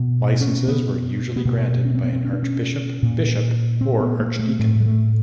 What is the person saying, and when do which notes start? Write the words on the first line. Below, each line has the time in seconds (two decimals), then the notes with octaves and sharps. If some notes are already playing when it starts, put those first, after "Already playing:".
Licences were usually granted by an archbishop, bishop or archdeacon.
Already playing: B2
0.41 C#4
0.68 B3
1.36 B3
1.45 B2 A#3
1.85 C#4
1.95 C4
2.04 B3
2.13 C4
2.25 C#4
2.33 D4
2.43 C#4
3.03 A#2
3.81 C4
4.00 B3
4.20 A#3
4.39 A3
4.59 A2 A3
4.80 G#3
4.86 A3